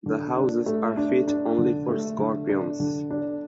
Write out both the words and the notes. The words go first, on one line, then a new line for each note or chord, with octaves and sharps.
The houses are fit only for scorpions.
D3
D4
A3
D4
D4
D3
A3
D3
D4
D3
D4